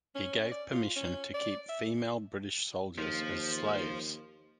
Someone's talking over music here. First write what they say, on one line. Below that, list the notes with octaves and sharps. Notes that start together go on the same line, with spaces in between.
He gave permission to keep female British soldiers as slaves.
C#4
D5
F4
C#4
D5
E5
D#2 F3